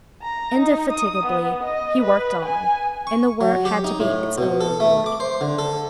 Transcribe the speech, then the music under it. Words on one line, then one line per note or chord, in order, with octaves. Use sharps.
Indefatigably he worked on, and the work had to be its own reward.
A#5
D#4
D#6
B3
D#5
B4
G#5
C#6
F#3
G4
D#4
A2
B2
A4
A3
D6
C5
D3
A4